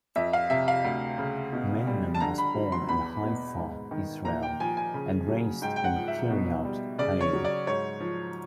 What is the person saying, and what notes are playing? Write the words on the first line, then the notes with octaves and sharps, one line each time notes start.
Maimon was born in Haifa, Israel, and raised in Kiryat Haim.
F2 E5
F5
C3 E5
F5
D2
C#3
B2
G3
A5
D3 A#5
B5
F#3
C6
E2 B5
B2
G#2
D#3
A#2 A#5
G5
F3 G#5
G#5
C#3
F#3
G#2 G5
G5
F#5
F3
E5
B2
G3
C#3 D5
C#5
F#3
D5
G#2 C#5
F3